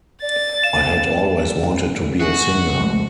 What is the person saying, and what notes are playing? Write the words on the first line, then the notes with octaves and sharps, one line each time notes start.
I had always wanted to be a singer.
D5 A6
F5 E7
D5
F#4 G#4 E5 G#5
F3 G#3 A3